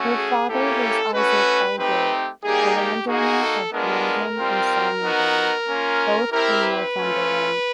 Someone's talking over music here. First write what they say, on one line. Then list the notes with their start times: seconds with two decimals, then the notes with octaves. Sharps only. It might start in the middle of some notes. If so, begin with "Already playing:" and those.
Her father was Isaac Allgood, a landowner of Brandon and Simonburn, both in Northumberland.
Already playing: A3 C#4 F#4
0.16 G#4
0.48 A#3 C#4 E4 G4 A4
1.13 A3 C#4 F#4 B4
1.78 A3 C4 D#4 G4 B4
2.43 G3 A#3 D#4 G4 G#4
2.76 G4
3.08 A#3 D#4 F#4 G#4
3.41 A4
3.73 G#3 B3 D4 F4 A#4
4.38 G3 C4 F4
5.02 B3 D#4 F#4
5.67 A#3 C#4 F4
6.32 C4 E4 G4 A#4
6.64 B4
6.97 A3 C#4 F4